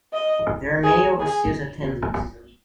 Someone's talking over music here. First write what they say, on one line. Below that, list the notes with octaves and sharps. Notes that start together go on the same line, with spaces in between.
There are many overseas attendees.
D#5
G#4
G#4